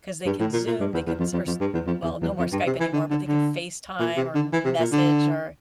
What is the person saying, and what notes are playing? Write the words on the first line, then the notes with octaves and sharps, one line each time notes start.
'Cause they can Zoom, they could s or s well, no more Skype anymore, but they could FaceTime or m message or and
G2
A2
A#2
A#2
G2
E2
E2
F2
F2
F2
G2
E2
F2
E2
E2
F2
G2
C3
E3
D3
D3
D3
A#2
C3
D3
E3
C3
A#2
D3